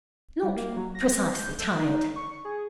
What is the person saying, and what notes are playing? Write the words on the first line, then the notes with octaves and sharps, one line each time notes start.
'Not precisely tired.
G3
A#3
F#3
A#6
C4
G6
A4
D#4
C#6
G#4